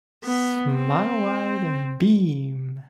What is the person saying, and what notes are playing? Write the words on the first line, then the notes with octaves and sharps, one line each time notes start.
Smile wide and beam.
B3
C4